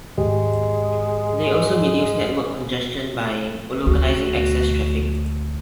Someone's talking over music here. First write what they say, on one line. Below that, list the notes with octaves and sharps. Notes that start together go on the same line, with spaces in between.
They also reduce network congestion by localizing access traffic.
D#2 G#2 G#3 G4
D2 F#4